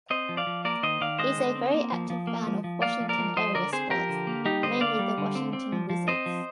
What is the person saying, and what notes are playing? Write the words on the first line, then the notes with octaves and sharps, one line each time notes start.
He's a very active fan of Washington area sports, mainly the Washington Wizards.
C4 C5 D#5
F3
D5 F5
F3
A#3 A#4 D5
D#3 C5 D#5
D#3 D5 F5
G#3 C5 D#5
D3
C4
A#3
F3
F3
A#3
F3
F3
A#3 D5 F5
F3
A#4 D5
F3
F3 C5 D#5
D3 A#4 D5
C4 G#4 C5
F3 G4 A#4
D3
A#3
G3 D#4 G4
D3 C5 D#5
A#3 D5 F5
G3
D3
C4
C4
F3
F3
C4 C5 D#5
F3